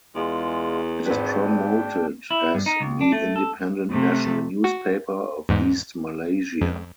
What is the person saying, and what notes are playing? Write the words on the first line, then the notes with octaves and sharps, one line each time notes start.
It is promoted as the "Independent National Newspaper of East Malaysia".
E2 G#3 F4
G#1 D4 B4 G5
E4
G2
D#4
C#2
D4
A3
A4
C3 A3
F#4
E2 G#2
F2